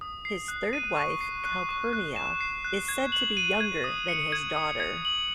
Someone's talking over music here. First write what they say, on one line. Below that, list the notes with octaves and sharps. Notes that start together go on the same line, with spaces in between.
His third wife Calpurnia is said to be younger than his daughter.
D#6
C7
F#6
D#7
C#6
C7
F#6
C#6
F#6
E7
C7
F#6
G#6
F#7
D#7
G#6
D#6
C#7
G#6
D#6
G#6
F#7